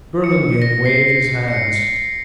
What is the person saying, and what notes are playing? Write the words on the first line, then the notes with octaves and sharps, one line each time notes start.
Burlingame waved his hands.
C#7
A#6
C7
C#7
C#7